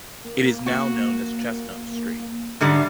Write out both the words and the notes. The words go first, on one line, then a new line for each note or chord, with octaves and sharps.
It is now known as Chestnut Street.
A#3
F#4
G#2 D3 G3 E5 F#5 C7